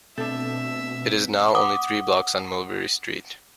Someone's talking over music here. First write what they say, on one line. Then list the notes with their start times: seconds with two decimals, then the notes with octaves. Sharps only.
It is now only three blocks on Mulberry Street.
0.18 B2 A3 C4 D4 A4 E5 G6
1.55 F#5 D6 D#6